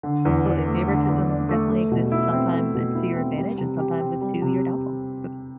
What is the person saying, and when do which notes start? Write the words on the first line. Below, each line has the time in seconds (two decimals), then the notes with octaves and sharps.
Absolutely, favoritism definitely exists, sometimes it's to your advantage, and sometimes it's to your downfall, so.
0.03 D3
0.25 E2
0.45 D4
0.66 A3
0.87 D3
1.09 E2
1.29 D4
1.49 A3
1.70 A3
1.91 B2
2.12 E4
2.33 C4
2.54 A3
2.75 B2
2.95 E4
3.16 C4
3.38 G3
3.58 C3
3.79 G4
4.00 C4
4.21 G3
4.42 C3